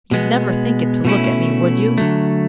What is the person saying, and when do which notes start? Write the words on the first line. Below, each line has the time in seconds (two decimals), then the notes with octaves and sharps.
You'd never think it to look at me, would you?
0.11 B2 G#3 B3
1.05 B2 A3 C#4 E4
1.98 D3 F#3 A3